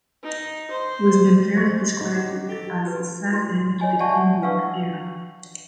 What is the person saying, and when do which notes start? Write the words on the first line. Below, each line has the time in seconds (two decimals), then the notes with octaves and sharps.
Wisden fairly described it as "a sad end to the Illingworth era".
0.23 D#4
0.70 C5
1.55 G#3 C5 C#6
2.01 D#4 F#4 G4
2.48 G4 A4
2.85 F4 F#4 B4
3.31 E4 F#4 C6
3.80 C#5 D#5 G#5 B5
4.00 D5 E5 F#5 G#5 A5 C#6
4.42 D4 B4 F5 F#5 C#6 E6